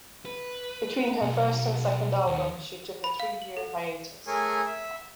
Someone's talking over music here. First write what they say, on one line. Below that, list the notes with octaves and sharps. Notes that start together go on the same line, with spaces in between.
Between her first and second albums, she took a three-year hiatus.
B4
B1
D#2
B5
F5
F#7
A4
A3 G#4 A#4 C#5 G#5
E5